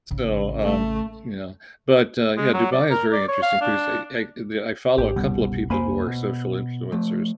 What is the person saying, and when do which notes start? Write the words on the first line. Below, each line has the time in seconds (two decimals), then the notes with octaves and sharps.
so, um you know? But, uh, yeah, Dubai is a very interesting piece. I I the, uh I follow a couple of people who are social influencers,
0.11 A1 C#3
0.63 A3
2.37 G#3
2.54 F#3
2.72 D5
2.90 A#4
3.13 D5
3.28 C#5
3.42 F5
3.61 D4
4.98 G#1 G4
5.16 F#1 C2 B2 G3
5.70 C2 F2 A#3 C5 G#5 B5
6.07 B2
6.92 F3 A3